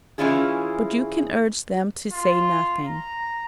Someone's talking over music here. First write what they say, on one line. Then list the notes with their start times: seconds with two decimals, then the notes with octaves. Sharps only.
'But you can urge them to say nothing.
0.18 E3 G#3 C#4 E4 F4 G#4
2.13 F4
2.87 A#5